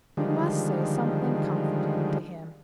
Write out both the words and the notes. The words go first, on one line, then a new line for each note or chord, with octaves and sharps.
You must say something comforting to him.
D3 D#3 F3 G3 G#3